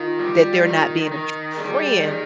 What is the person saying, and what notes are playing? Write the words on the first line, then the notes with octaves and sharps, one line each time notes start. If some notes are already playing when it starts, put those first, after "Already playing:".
that they're not being a true friend,
Already playing: D#3 F4
G3
D#3
D#3
G3 G#4
D#3